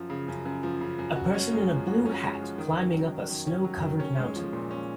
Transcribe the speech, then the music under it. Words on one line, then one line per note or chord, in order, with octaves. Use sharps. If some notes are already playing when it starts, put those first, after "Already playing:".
A person in a blue hat climbing up a snow covered mountain.
Already playing: F#2 F3
C#3
F#2
F#2
F3
C#3
F#2
F#4
C#4
G#3
F3
F#4
C#4
G#3
F3
D#3
C#4
F#3
D#3
D#3
C#4
F#3
D#3
C#4
G#3
F3
A#2
C#4